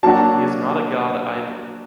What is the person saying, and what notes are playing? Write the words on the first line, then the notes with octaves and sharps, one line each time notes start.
He is not a God either.
F#3 A#3 D4 F#4 A5